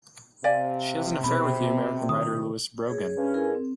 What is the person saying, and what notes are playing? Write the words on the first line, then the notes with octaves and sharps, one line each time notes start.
She has an affair with the American writer Lewis Brogan.
C3 D5 F5 G#5
B2 C4 G#4 B5
D#3 D#6
G#4 C#5
G2 C#4
E4 G#4 A#4
C4